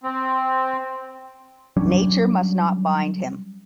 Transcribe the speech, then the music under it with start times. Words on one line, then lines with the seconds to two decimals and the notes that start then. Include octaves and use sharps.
Nature must not bind him.
0.04 C4
1.77 F#3 G3 C#4 D4